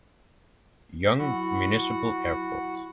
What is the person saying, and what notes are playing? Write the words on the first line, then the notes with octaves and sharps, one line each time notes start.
Young Municipal Airport.
F#3 E4 F#4 F#5 B5